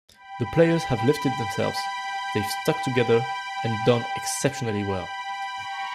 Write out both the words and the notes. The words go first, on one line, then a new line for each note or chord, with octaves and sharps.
The players have lifted themselves - they've stuck together and done exceptionally well.
G5 B5
G5 B5
G5 B5
G5 B5
A#5 C#6